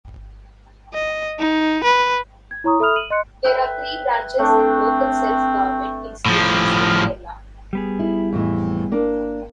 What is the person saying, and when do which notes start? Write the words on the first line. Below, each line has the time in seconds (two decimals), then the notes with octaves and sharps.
There are three branches of local self-government institutions in Kerala.
0.94 D#5
1.39 D#4
1.84 B4
2.51 G#6
2.64 E4 C#5 A#5 C#6 D#6
2.80 A4 E5 B5 D#6 F6 F7
2.96 D#7 F#7
3.10 D#5 C6 F#6 C#7
3.44 B4 E5 G5
4.39 A3 C4 D4
6.26 A2 F3
7.73 G3 B3 G#4
7.99 E4
8.33 F2 A2 E3
8.92 A#3 D4